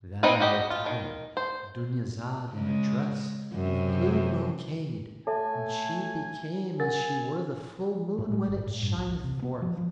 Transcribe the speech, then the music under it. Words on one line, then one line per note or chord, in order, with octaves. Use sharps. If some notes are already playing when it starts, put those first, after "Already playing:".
Then they attired Dunyazad in a dress of blue brocade, and she became as she were the full moon when it shineth forth.
C4 D#4 E4 B4
F#4 G4 D#5
F4
D#3
C5
C#3 G#3
F#2 C3
A3 A4 C#5 E5 G#5 A5
A#4 F#5 G#5 A6
A2
G#3
G1
A2
A2
G2
B1
D#1
C3
B3
F3
F3